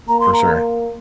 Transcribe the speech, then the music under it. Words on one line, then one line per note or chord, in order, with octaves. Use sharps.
For sure.
A#3 A#5
C6
A#5